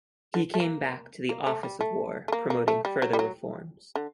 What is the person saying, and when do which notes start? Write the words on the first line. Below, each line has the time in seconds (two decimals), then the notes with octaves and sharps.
He came back to the Office of war promoting further reforms.
0.34 D3
0.54 A3
0.60 A#3
1.29 A#3
1.47 A3
1.63 G3
1.81 A3
2.28 A3
2.32 A#3
2.50 A#3
2.68 A3
2.85 G3
3.02 F#3
3.13 G3
3.19 F#3
3.95 D3